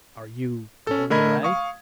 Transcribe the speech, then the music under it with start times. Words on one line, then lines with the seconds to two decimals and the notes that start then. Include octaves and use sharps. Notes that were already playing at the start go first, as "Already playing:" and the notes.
"Are you... going away?"
0.87 C#4 A4
1.10 D3 A3 A#4 D#5 B5 G#6
1.43 F5 C#6 D#6